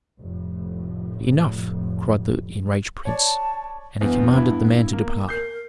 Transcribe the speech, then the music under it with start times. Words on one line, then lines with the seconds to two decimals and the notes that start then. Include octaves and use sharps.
"Enough!" cried the enraged prince; and he commanded the man to depart.
0.21 F1 A2
3.05 C#5 D5 A5
4.01 E2 G2 B3
4.36 G2 E4
4.93 A#3
5.29 A#4 G6 C7